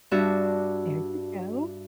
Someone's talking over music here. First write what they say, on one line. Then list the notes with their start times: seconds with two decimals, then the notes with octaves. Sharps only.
There you go.
0.11 G2 D4 F#4 E5 A5